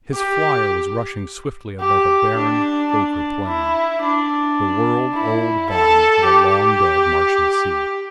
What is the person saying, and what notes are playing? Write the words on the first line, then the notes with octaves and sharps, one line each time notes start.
His flier was rushing swiftly above a barren, ochre plain--the world-old bottom of a long-dead Martian sea.
G4
G4
D4
D4
E4
D4
E4
A4
G4